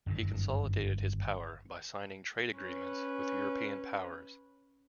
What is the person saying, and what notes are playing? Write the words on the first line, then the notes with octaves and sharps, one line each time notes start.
He consolidated his power by signing trade agreements with European powers.
G1 F#2 C3 D#3
C#4 B4